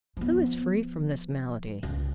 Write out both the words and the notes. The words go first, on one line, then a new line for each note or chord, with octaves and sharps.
Who is free from this malady?
F3 B3
C#2